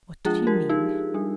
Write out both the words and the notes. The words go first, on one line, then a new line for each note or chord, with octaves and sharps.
What did he mean?
F3 G#3 D4 F4 G#4
G4 A#4
D#4 G4
G3 D4